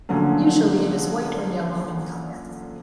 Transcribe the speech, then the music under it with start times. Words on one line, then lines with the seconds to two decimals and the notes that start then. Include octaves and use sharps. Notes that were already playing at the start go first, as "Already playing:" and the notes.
Usually it is white or yellow in color.
0.09 A#2 D3 F3 F#3 A3 C#4